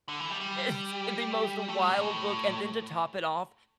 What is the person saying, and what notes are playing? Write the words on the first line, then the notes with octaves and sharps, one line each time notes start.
It's the most wild book and then to top it off,
D3
E3
G3
G3
A3
G3
C3
A2